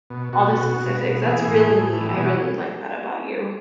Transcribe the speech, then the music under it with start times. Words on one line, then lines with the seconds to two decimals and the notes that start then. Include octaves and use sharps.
all the specifics. That's really neat. I really like that about you.
0.10 B2
0.33 B2 F#4
0.56 B2
0.79 B2
1.02 B2
1.25 E3 G#4
1.48 A2
1.70 A2
1.93 E3
2.16 B2 G#4
2.26 F#4